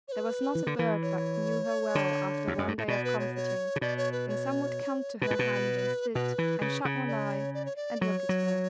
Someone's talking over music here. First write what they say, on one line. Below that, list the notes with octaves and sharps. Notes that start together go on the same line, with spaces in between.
There was not a bird but knew her well, after one day of comforting; and some would come to her hand, and sit, and shut one eye, and look at her.
C#5
B4
E3
D3
E3
C#5
D3
E2
F#2
G2
A2
B2 D5
B4
C#5
C#5
C#3
B2 D5
C#5
B4
C#5
B2 B4
A2
B2
B2 B4
E3
C#3
C#3
D5
C#5
D5
C#5
D5
F#3 C#5
F#3